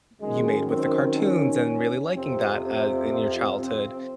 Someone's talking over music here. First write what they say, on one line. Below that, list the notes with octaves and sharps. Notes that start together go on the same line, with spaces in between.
you made with the cartoons and really liking that a in your childhood
F#2 D#3 G#3
C4
C#4
F2 C3 F3 C4
C4
C4